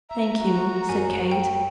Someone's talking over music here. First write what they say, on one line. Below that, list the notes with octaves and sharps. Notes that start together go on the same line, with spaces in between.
"Thank you," said Kate.
E5 A#5
F#4
F#2 G#5
G5